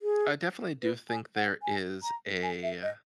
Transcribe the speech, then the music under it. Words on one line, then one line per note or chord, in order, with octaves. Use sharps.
I definitely do think there is a, uh
G#4
B4
G#5
F#5
G#5
A#5
G#5
E5
D#5